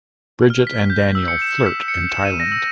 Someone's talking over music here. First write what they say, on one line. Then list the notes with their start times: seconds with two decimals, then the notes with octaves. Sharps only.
Bridget and Daniel flirt in Thailand.
0.50 F6
0.67 B6
0.90 G6
1.15 E6
1.28 C#7
1.42 E7
1.66 B6
1.88 C#7
2.10 E7
2.25 D#7
2.40 A#6
2.52 E6